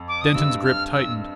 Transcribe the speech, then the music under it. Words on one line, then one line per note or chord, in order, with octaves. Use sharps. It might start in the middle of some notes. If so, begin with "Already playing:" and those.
Denton's grip tightened.
Already playing: F2
D6
D#6
G2 E6
F6
E6